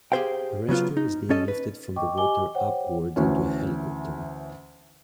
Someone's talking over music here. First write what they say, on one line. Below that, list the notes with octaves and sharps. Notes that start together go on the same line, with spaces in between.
A rescuer is being lifted from the water upward into a helicopter.
G4 G#4 A#4 C5 F5 G5
C#3 F#3 B3 F4
D#4
C#4 A4 D#5
B4
D#5 G5 C#6 D6
G4 D#5 G#5 D6 G7
C5 C#5 F#5 G5
D2 E3 C#4